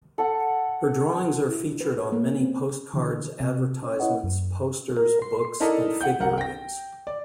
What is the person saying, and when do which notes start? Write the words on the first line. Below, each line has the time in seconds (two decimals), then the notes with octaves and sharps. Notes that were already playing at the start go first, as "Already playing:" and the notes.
Her drawings are featured on many postcards, advertisements, posters, books and figurines.
0.18 A4 F#5
1.48 E4
1.67 D4
1.81 B4
1.98 C#5
2.12 A#3
2.24 A#3
2.41 C4
2.94 D3 E3
3.40 C3
3.83 C#4 C#5
4.00 E4 B4 C#5 D#5 F#5
4.24 F#2
4.97 A#4
5.22 C6
5.60 D#4 E4 A4 A#4 D5 D#5
6.01 F#5 G5 G6
6.20 C2 A#4 F#5
6.38 G5 A#6
7.07 D5